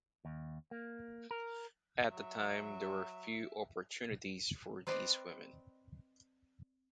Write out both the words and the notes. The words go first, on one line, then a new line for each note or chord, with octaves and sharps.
At the time there were few opportunities for these women.
D#2
A#3
A#4
F#3 E5
C4 B4 D5 D#5